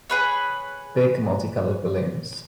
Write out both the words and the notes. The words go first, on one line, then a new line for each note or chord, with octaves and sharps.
Big multicolored balloons.
G#4 B4 C#5